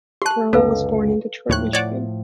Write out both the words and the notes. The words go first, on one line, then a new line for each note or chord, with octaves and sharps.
Burrell was born in Detroit, Michigan.
G4 A5 C6 F#6
C#2 F#2 D3 B3 A4 B4 F5
D#2 A2 F3 C#5 F#6
C#5 D5 F#5